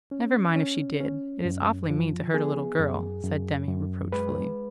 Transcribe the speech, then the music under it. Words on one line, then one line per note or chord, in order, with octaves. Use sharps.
"Never mind if she did; it is awfully mean to hurt a little girl," said Demi, reproachfully.
C#4
C#4
C#4
F#2
F3
B3 G#4
F#2
F#2
F#2
G#3 B4